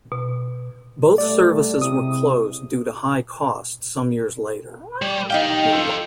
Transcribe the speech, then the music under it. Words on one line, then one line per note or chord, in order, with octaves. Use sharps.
Both services were closed due to high cost some years later.
B2
G3 A3 D5
C3 G#3 E4 D#6
G3
D#4 G4 D#5 F5 G5
F4 A4